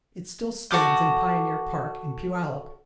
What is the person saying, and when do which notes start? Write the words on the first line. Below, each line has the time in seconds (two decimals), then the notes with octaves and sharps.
It still stands in Pioneer Park in Puyallup.
0.71 F#4 A4 D6 G6